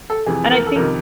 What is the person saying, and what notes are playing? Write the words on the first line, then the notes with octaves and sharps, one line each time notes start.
And I think
A4
F2 C3 E3 G#4
A#4
A4
F2 C3 D#3 A#4